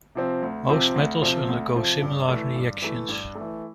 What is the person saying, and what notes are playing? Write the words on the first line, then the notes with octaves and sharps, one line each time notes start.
Most metals undergo similar reactions.
C3 F3 C4
D2
C3 F3 C4
D2
C3 F3 C4
D2
C3 F3 C4
G2
E3 A3
G2
E3 A3
G2
A3
E3